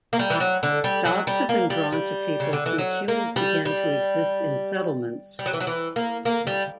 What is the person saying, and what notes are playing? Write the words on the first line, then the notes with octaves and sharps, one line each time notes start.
Dogs have been drawn to people since humans began to exist in settlements.
A#3
G3
E3
F#3
D3
G3
F#3
G3
A#3
G3
G3
C#3
D3
E3
F#3
A#3
G3
G3
G3
F#3
E3
F#3
E3
A#3
A#3
G3